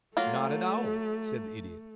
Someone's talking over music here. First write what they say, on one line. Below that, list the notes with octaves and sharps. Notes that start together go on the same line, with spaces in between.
"Not at all," said the Idiot.
F#3 A3 A#3 F4